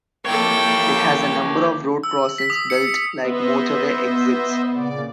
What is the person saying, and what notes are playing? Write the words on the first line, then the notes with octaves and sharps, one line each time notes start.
It has a number of road crossings built like motorway exits.
F3 A#3 E4 G4 A4 C#5 G5
E6
B6
D#6
C#7
B3 C5 D#5 E5
A#2 C#3 D5